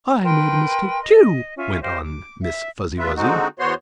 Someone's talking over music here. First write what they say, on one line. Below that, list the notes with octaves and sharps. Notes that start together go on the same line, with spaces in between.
"I made a mistake, too," went on Miss Fuzzy-Wuzzy.
A#4 B4 G5 C6
D#5
C#4 F4 E5
G4 C5 D#5 F5
D6
E5
D2 A#2 F4 B4 E5
D3 G#3 C4 D#4 F#4
E2 B3 F#4 C5 C#5 C6